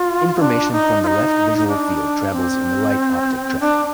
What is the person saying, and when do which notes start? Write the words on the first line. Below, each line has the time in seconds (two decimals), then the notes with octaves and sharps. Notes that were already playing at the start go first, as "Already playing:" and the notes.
Information from the left "visual field" travels in the right optic tract.
Already playing: F4
0.39 D4
0.72 D#4
1.03 F4
1.07 D#4
1.58 D#4
1.67 D4
2.31 C4
3.60 D4